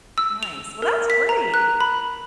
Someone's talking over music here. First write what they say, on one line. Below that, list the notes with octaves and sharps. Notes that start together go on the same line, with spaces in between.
Nice. Well, that's great.
E6
F7
A#4
B6
A#5
F#6
B5